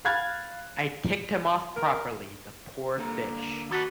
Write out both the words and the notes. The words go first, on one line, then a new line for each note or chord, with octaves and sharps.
I ticked him off properly, the poor fish.
F5 B5 F6 F#6 G#6 A6
A#4
D3 A#3 A4 A#5
D#3 A#3 F#4 A4 B4